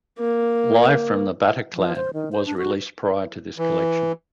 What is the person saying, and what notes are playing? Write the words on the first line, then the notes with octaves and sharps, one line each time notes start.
"Live from the Bataclan" was released prior to this collection.
A#3
F3
C5
D#3
C5
D4
F#4
E3